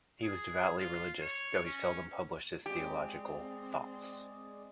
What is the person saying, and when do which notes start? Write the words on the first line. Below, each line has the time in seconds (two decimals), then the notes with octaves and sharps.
He was devoutly religious, though he seldom published his theological thoughts.
0.23 G#4
0.78 F4
1.21 C#5
1.65 C#4
2.66 G#3 C4 G4 G#4 D5